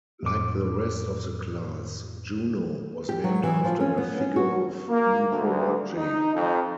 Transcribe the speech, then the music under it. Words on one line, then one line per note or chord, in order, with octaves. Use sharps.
Like the rest of the class, "Juno" was named after a figure of mythology.
F2 A2 D6
G4
F#3
E3
F3
C#4
B3
C#4
F#4
A#3
D2
D#4
F2